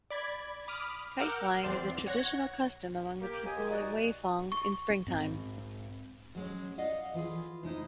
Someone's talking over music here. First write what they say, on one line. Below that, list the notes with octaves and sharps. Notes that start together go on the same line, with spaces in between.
Kite flying is a traditional custom among the people in Weifang in spring time.
D5 B5 G#6
B5 D6 D#6 F6
A#4 F#5 D6 E6 F6 G6
E2 C4 D5 C6
C#5 F#5 G#6 A#6
A#3 G4
D#2 G#5 D#6
D#4 F#4 D5
C#6
G#2 C4
F#3 G#3 C#4
D5 D#5 F5 F#5
E3 F4 G#4
C3 G#3 D#4 E4